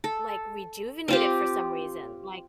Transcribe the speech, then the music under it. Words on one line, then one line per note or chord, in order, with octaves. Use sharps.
Like rejuvenated for some reason. Like,
A4
C4 F4 G4